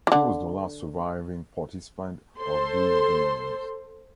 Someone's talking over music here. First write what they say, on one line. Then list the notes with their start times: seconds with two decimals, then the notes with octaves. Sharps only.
He was the last surviving participant of these Games.
0.07 D3 E3
2.39 A4 C5 C6